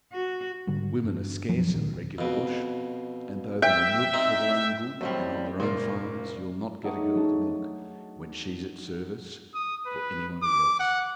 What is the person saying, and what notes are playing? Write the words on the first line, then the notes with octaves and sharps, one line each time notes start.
Women are scarce in the regular bush, and though they'll milk for their own good and on their own farms, you'll not get a girl to milk, when she's at service, for anybody else.
F#4
G#2 D3 G3
G2 D4
F#2 F3 F#3
D1 C#2 A#2 D#3
E1
F2 B2
E5 G5
C4 D#4
D#2 A2 F#3 G3 C4 C5
F#1 A#2 A#3
A3 D4 D#4 G#4 C#5 F#5
F#3 A5
D#6
B4
D6
F#5